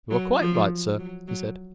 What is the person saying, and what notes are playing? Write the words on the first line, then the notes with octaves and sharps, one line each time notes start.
"You are quite right, sir," he said.
F#3
F3
F#3
F#3